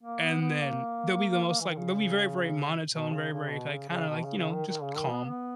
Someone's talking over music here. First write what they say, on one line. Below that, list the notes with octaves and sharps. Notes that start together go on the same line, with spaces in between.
and then they'll be the most like they'll be very, very monotone, very, very, like, kinda like, you know, just calm.
A#3
B3
B3
A#3
E3
D#3
C#3
B2
C#3
C#3
B2
C#3
C#3
B2
C#3
C#3
D#3
D#3
C#3
D#3
B3
B3